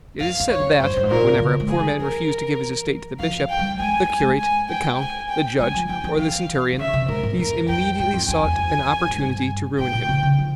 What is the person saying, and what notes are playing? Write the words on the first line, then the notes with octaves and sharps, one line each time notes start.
It is said that, whenever a poor man refused to give his estate to the bishop, the curate, the count, the judge, or the centurion, these immediately sought an opportunity to ruin him.
F2 F5
E2
C#5
F2
G2 C5
G2
G#2
A#2 A#4
C#3
G#3
G#4
G3
E3 A#4
F3 F5
G5
G3
G#3 G#5
A#3
G#3
G#5
G5
G#5
G5
G#3 G#5
F3
E3 G5
E3
E3 F5
E3
C#3 E5
C3
G#2 A#4
G#2
F2 A#4
F2 G5
G#2 G5
F2
E2 G#5
E2
F2
G#2
G2
G#2 G5
A#2
C#3
C#3
F3